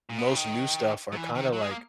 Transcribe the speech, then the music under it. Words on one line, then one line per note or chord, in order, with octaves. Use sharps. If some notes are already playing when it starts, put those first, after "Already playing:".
most new stuff are kinda, like
A#2
B2
C#3
D#3
F#3
E3
D#3
F#3
G#3
A#3